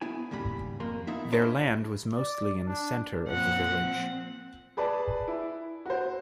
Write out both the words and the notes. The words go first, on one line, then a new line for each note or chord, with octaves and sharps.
Their land was mostly in the centre of the village.
B3 E4 G#5
D#2 G#2 C#3 G3 B5
F2 A#3 C6
B3 D#4 E4 E5 F5
D4 E4 F4 C5 C#5 D#5
D5
D4
A#2 F3 C4 F#5
G#4 B4 D5 A5
E4
F#4 C5